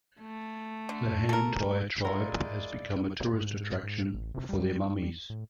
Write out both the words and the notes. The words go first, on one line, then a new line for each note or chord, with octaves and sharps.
The Hamtai tribe has become a tourist attraction for their mummies.
A3
D3
A4 A#4
G#3 E4 F4 A#4 D5
G#2
G#2
A1
C3
G3
A2